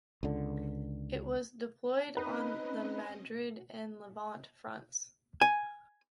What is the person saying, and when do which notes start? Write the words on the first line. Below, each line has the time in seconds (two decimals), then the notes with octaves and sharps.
It was deployed on the Madrid and Levante fronts.
0.23 C#2 D3
2.17 C4 C#4 D#4 B4 D#5
5.41 G#5